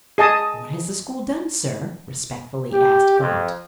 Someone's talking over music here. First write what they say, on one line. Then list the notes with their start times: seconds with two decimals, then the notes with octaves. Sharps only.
"What has the school done, sir?" respectfully asked Gaunt.
0.18 G#4 D#5 A5 D#6
2.72 G4
3.17 F2